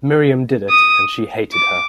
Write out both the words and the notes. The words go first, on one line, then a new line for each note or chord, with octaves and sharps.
Miriam did it, and she hated her.
D#6
D6